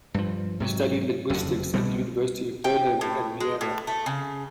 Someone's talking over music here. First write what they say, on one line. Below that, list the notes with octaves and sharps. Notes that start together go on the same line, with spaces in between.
He studied linguistics at the universities of Berlin and Vienna.
G2 F3
G#2 C3 F3 F#3
F#1 F2 A#2 D3
C2 B2 G3 B3
G5
A2
G#3
A2
A3
C#3